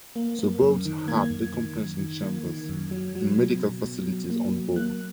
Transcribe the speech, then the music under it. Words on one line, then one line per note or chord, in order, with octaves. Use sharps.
The boats had decompression chambers and medical facilities on board.
A#3
A#3
F#2
D#3
A#3 G#6
F#2
D#3
F#2
D#3
A#3
D#3
F#2
F#3
F#3
B2
B2
B2
F#3
A#3
F#3
A#3 F#6